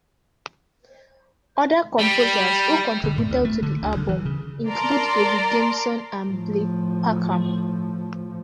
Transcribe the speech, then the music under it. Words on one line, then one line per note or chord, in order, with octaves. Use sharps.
Other composers who contributed to the album include David Gamson and Blair Packham.
G3
D3
A2
D2
A3
D3
D2
D3
E3
C#3
A#4 D5 A5 A#5 C6 D6
A2 F3